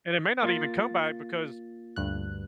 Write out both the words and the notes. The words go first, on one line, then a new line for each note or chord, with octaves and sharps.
And it may not even come back because
A#3 F4 A6
D2 G2 F#6